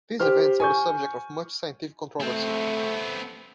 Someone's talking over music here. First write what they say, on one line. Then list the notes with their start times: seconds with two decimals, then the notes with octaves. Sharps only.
These events are the subject of much scientific controversy.
0.20 G4 C5 F6
0.60 G#5 C#6 G6
2.20 A3 B3 C4